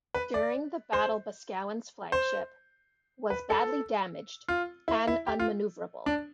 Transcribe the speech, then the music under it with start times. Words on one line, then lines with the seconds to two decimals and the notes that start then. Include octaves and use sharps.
During the battle Boscawen's flagship, was badly damaged and un-manoeuvrable.
0.14 B4
0.34 D5
0.93 C5
2.12 C5
3.30 B4
3.50 A4
4.48 F4
4.88 E4
5.07 E4
5.27 G4
5.39 F4
6.06 D4